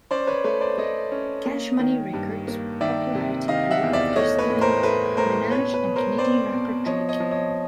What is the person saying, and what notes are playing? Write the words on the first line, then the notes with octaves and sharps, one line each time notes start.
Cash Money Records popularity grew after signing Minaj and Canadian rapper Drake.
C#4 C5 D5
B4 C#5
A3 B4 C#5
C5 D5
A3 C#5 D#5
C#4
A#3
D#3
G2
A#3
D#3 D5 E5
C3
D#3 D#5 F5
E5 F#5
E2
D5 E5
A3 C#5 D#5
B4 C#5
A2
A#4 C5
A3 B4
A2 A#4 C5
B2 B4 C#5
B4
B2
A#4 C5
C4 C5 D5
B2
F3 C#5 D#5
C#5 D#5
F3
C#5 D#5